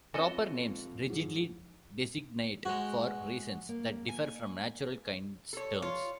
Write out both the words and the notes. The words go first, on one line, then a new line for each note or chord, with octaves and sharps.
Proper names rigidly designate for reasons that differ from natural kinds terms.
F2 C#4 F#4 A4 D#5
G#2 F3 F#3
G#3 F#4 G#4 C5
A#3
G#5
A4 C#5
F4 C#5